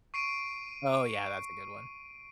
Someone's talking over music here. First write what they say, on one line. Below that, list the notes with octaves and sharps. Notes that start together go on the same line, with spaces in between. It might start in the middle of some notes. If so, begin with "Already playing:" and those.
Oh, yeah, that's a good one.
C#6 C7 D7 D#7